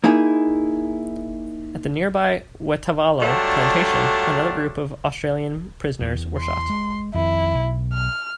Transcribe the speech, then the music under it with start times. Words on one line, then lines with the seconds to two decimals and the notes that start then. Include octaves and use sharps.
At the nearby Waitavalo Plantation, another group of Australian prisoners were shot.
0.04 A#3 D#4 E4 G#4
3.20 D3 F#3 G3 A3 D4 F4
6.01 E2
6.39 C6
6.70 G#3
7.14 F2 D#3 E4
7.55 B1
7.93 F6